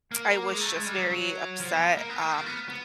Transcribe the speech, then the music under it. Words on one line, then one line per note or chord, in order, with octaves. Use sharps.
I was just very upset, um,
A#3
G#3
A3
G#3
G3
F#3
F#3
F3
B3
A#3
B3
A#3
A3
A#3
B3
B3